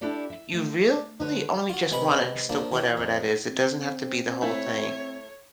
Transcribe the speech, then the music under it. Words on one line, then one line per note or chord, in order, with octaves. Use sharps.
you really only just want it as to whatever that is, it doesn't have to be the whole thing.
D4 E4 G4 A4 D5
E5
A3
D3 B4 C#5
F4 F#4
C3 G#3 G#4 B4 B5
F3 A#3 D4
E3 C#4 G4
F2
C4
A3 E4 C#5